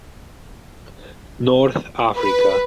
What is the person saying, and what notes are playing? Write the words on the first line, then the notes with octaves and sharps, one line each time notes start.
North Africa.
B4